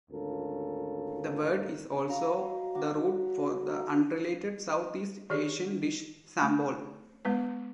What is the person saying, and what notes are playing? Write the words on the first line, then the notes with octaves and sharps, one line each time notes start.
This word is also the root for the unrelated South East Asian dish sambol.
G#1 D2 C#4 F4 A4 A#4
F#3 F5 A#5 C#6
D#5
F#4 C#6 D6
A3 D#4
D#3 G4 G#4 D5
A3
G#3 B3 B4